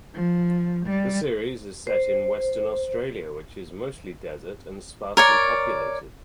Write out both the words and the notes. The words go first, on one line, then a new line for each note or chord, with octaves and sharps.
The series is set in Western Australia which is mostly desert and sparsely populated.
F3
G3
C5
A#4 C#5 D5